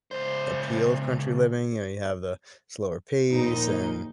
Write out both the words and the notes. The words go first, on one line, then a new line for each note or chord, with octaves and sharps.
appeal of country living, you know you have the slower pace and,
C#2 C5
A#1 D#2 D#4